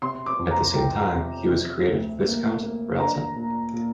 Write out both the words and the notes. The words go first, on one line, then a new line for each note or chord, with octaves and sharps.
At the same time, he was created Viscount Rialton.
C3 C6
D6
F2
A#5
F2 G5
C3
C3
D2
A#3
A#3
D4 A#5
A#2
A#2